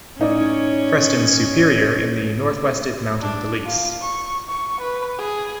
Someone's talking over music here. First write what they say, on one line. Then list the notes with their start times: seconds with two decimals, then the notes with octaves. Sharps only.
Preston's superior in the North-West Mounted Police.
0.19 A2 C#4 D#4 C#5 D5
3.21 D4
3.66 F4
4.02 C#6
4.48 C#6
4.81 B4
5.19 G#4